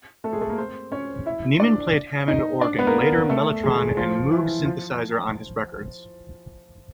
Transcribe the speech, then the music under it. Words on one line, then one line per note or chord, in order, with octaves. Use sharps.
Niemen played Hammond organ, later mellotron and Moog synthesizer on his records.
A3 A4
G#3 G#4
A3 A4
A#3 A#4
C4 C5
C#4 C#5
E4 E5
D4 D5
D#4 D#5
D4 D5
B3 B4
A#3 A#4
A3 A4
G#3 G#4
F3 F4
E3 E4
F3 F4